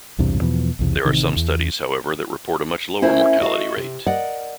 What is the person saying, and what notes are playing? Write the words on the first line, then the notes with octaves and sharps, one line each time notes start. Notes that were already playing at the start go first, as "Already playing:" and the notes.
There are some studies however that report a much lower mortality rate.
B1 E2 G2 C3
E2 B2 D3 F3
B1 E2 C3
A1 C3 D#3
E2
A3 C#4 E4 A#4 C5
F#4 A4 D#5 F5
C3
A#4 D5 D#5 F#5